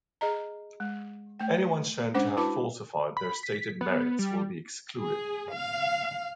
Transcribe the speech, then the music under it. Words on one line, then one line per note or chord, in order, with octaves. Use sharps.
Anyone shown to have falsified their stated merits will be excluded.
G#4 D#5 A#5
G#3
A3 G5
G#3 C#4 D4 C5 F#5 D6
E4 F#4 B4 A5 B5 D6
B5
B6
B3
G3
G#4
F5